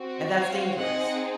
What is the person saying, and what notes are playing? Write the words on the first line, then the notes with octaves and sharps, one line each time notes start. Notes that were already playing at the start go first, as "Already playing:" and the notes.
And that's dangerous.
Already playing: C4 F#4
C#5 F5
C4 D#4 G#4 D#5 F#5